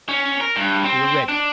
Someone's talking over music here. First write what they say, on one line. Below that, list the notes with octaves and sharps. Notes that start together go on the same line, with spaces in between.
We were ready.
C#4
A#4
G2
C4
D4